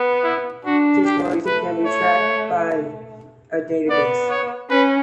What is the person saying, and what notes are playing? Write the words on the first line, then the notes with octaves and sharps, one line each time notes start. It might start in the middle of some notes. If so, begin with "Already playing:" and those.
This loyalty can be tracked by a database.
Already playing: B3
E4
D4 F#4
G4
A3 B4
C#5
B3 D5
C#5
C#4 B4